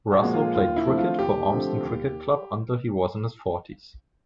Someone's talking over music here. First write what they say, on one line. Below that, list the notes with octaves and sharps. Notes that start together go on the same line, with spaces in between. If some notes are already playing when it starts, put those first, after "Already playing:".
Russell played cricket for Urmston Cricket club until he was in his forties.
F#4
A#2 F3 G#3
F4
D#2 F4
E4
D3 F3 A3 C4
F4
D#2 G4
D3 F3 A3 C4
D#2